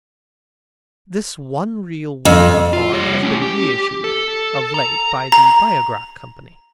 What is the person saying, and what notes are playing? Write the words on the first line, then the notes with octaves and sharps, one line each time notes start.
This one-reel work of art has been reissued of late by the Biograph Company.
F2
F4
G3 C#5
A3 C#4
G4
A4
A#5
A#5